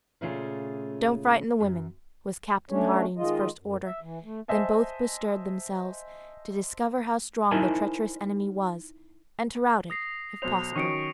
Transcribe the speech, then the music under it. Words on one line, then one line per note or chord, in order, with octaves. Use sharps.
'Don't frighten the women,' was Captain Hardy's first order; then both be stirred themselves to discover how strong the treacherous enemy was, and to rout it if possible.
A#2 C#3 A3 C#4 F4 G#4
F#2
A3 C#4 D4 C#5
D#3 G#3 F4 D#5
F#2
E5
E3
A3
C5 D#5 E5 G#5 A5
D#4 E4 A#4 C5 G#5 A5
D#6 A#6 C7
B1 C5 F7
D#3 F#3 C#4 C#6 C#7 D7